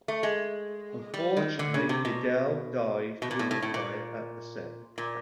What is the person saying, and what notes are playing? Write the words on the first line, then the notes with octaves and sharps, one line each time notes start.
Unfortunately Fidel died during a fire at the set.
A3
G#3
G3
D#3
D3
C#3
C3
B2
B2
A#2
A2
A2
A2
A#2
A#2